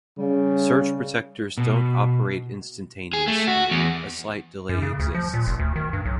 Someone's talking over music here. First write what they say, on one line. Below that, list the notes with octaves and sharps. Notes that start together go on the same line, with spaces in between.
Surge protectors don't operate instantaneously; a slight delay exists.
C#3 G3
B2
G#4
A3
F#4
E2
F#2
C#3
D2
F3
A#2
F1
D2
D#3
G2
B1